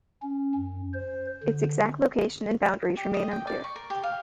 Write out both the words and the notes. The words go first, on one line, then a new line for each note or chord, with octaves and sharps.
Its exact location and boundaries remain unclear.
C#4
F#2
C5
D3
G4
D#5
G5
D5
C#6
A#4
G4
F5